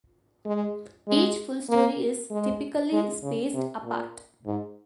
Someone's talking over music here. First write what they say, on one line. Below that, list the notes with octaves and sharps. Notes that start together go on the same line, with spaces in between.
Each full story is typically spaced apart.
G#3
G#3
A#3
G#3
G#3
C#3
C3
A#2
G#2